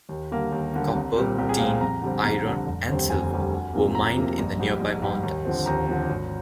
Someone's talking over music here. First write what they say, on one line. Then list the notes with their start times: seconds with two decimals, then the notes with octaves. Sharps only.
Copper, tin, iron and silver were mined in the nearby mountains.
0.09 D#2
0.31 D3 G3 A#3
0.52 D#2
0.74 D3 G3 A#3
0.95 C2
1.16 A#2 G3 C4
1.38 C2 G4
1.49 G#4
1.59 A#2 G3 C4 F5
1.70 G5
1.80 F2 A#5
2.02 D3 G3 C4
2.23 F2 A#5
2.46 D3 G3 C4
2.67 F1
2.88 D#2 D3 G3 C4
3.09 F1 G#5
3.31 D#2 D3 G3 C4
3.52 D2
3.73 C3 F3 A#3
3.95 D2 A#5
4.17 C3 F3 A#3
4.38 A#1
4.59 G#2 G3
4.80 A#1
5.02 G#2 G3
5.23 D#2
5.45 D3 F3 C4
5.66 D#2 A#5
5.87 D3 F3 C4
6.09 G#1